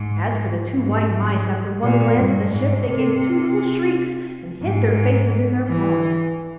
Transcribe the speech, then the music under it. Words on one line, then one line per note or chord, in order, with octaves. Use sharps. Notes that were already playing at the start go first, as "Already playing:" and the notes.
As for the two white mice, after one glance at the ship, they gave two little shrieks and hid their faces in their paws.
Already playing: G#2
G#2
A#2
G2
G#2
C3
G#2
E3